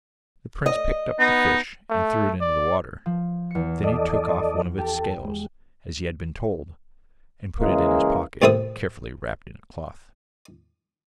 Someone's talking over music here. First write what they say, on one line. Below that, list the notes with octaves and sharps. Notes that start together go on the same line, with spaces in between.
The prince picked up the fish and threw it into the water; then he took off one of its scales, as he had been told, and put it in his pocket, carefully wrapped in a cloth.
D#5
B3 D#4
A3
D5
F3
E2 C#7
A4 D5 D#5
G4 A4
G#3
C#3 E3 G#3 A#3
C2 A2 C4 E4 B4 D#6